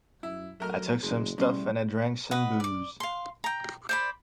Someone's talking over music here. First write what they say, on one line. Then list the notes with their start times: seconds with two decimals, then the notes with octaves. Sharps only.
I took some stuff and I drank some booze.
0.23 F#2 E4
0.60 F#3 A3 A#4 F6
1.03 F#1 G#3
1.38 A2 G3 C#4 C6
2.31 B4 D#5 F#5
2.60 D5 D6
3.00 F5 C6
3.44 G5 A#5
3.89 C5 D5 B5